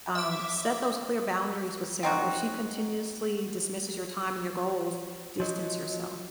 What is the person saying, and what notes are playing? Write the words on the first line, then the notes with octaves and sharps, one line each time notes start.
Um, set those clear boundaries with Sarah. If she continuously dismisses your time and your goals, distance yourself.
E5 D6
C4 D#4 F#4
F3 F#3 D#5